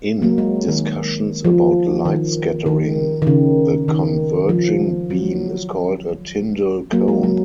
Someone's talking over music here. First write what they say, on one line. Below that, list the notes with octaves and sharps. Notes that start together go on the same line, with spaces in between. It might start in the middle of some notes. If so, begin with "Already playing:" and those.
In discussions about light scattering, the converging beam is called a "Tyndall cone".
F#3 A#3
G#3
D#3
F3
D#3
D#3
D#3
C#3
D#3
F3
F#3
F#3 A#3
G#3
F#3